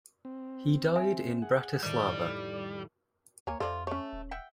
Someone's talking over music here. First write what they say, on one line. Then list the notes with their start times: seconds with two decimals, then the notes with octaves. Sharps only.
He died in Bratislava.
0.25 C4
0.96 E5 G#5
1.42 G#4 F#5
1.83 F2 A2 D#3 G3 D5
3.47 D2 A#3 C#5 G#5 A#5
3.60 F2 C3 D#3 F4 A4 C5 D5
3.87 A3 C#4 C#5
4.13 D#1
4.31 E5 F#5 G5